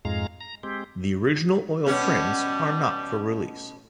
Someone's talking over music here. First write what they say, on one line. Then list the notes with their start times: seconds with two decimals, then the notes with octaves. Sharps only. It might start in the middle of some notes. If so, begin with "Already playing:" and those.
The original oil prints are not for release.
0.05 F2 G#2 G#3 F5 A#5
0.41 A#5
0.63 G#3 C4 G4
1.86 B2 G3 C#4